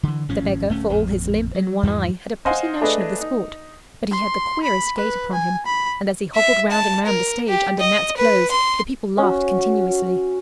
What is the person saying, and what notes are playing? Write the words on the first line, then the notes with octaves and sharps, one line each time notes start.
The beggar, for all his limp and one eye, had a pretty notion of the sport, but he had the queerest gait upon him; and as he hobbled round and round the stage under Nat's blows the people laughed continuously.
D3 E3
G#1 A2 F3 C#4
D1 A3 C#4
A1 F2 A#2
F#3
E2 G#2 E3 F3
C5 D#5 F5 F#5 G#5 C6
A3 D4 G#4 B4 D#5
D#4
C6
B5
B4
G#5
B5
E5
A5
A#4
G4
D#5
B4
C6
C#4 F#4